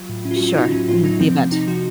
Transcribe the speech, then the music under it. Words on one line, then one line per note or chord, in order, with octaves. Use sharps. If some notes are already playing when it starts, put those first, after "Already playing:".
Sure, mhm, the event.
Already playing: F#3 F4
A2
A2 C#4
F4
F#3 F#4
F4
F#3 D#4
A2 C#4
A2 F4
F#3 D#4
F3 C4
C3
C3 D#4
F3 F#4